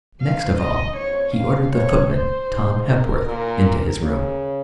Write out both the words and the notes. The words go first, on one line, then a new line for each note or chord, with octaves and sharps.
Next of all, he ordered the footman, Tom Hepworth, into his room.
G#2 F5
D#5
F2 C#5
F2 F5
F2 C#5
C5
G#2
A#4
A#2
C#3